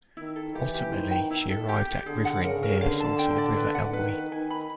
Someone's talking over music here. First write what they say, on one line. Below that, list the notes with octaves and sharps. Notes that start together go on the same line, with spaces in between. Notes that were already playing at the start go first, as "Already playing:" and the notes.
Ultimately she arrived at Gwytherin near the source of the River Elwy.
D#3 E4
A4
E3 G4
G4
D#3 C5
G5
E4
A4
G4
G4
D3 G#4
F#5
C#3 A#4
A#4
D3 F5
A5
G5
D5
B4
F#5
D#3 B4
B4
D#3 G#5
B5